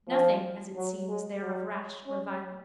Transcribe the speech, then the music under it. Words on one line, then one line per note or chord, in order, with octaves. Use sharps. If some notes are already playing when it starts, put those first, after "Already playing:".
Nothing, as it seems, there of rash or violent.
F3
F#3
G#3
F#3
C#4